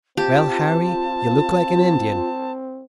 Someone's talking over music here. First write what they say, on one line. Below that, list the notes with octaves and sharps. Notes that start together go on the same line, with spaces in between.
Well, Harry, you look like an Indian.
C4 F4 G4 A5